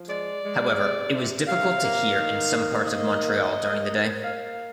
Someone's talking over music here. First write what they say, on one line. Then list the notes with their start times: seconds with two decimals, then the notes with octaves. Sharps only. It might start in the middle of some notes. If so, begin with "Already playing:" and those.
However, it was difficult to hear in some parts of Montreal during the day.
Already playing: F3
0.09 G#3 D5
0.44 G#3
0.78 C3
1.14 C3
1.47 C3 F5
1.82 A#3
2.17 D#3
2.51 A#3
2.85 D#3 D#5
3.20 A#3
3.54 A#3
3.89 A#3
4.23 A#3 F5